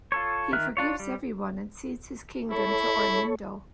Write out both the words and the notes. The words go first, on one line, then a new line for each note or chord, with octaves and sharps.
He forgives everyone and cedes his kingdom to Ormindo.
F4 A4 C#5
D#3 E5 F6 F#6
D4 F4 C#5
G3
E4 A4 C#5